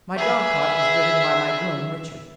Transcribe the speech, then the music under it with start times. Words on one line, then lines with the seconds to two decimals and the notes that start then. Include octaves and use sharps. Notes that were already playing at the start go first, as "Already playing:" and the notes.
My dogcart was driven by my groom, Richard.
0.18 G#4 B4 E5